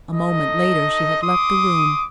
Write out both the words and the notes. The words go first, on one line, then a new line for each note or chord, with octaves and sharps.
A moment later she had left the room.
D#4 A4 D#5
C6 D6 D#6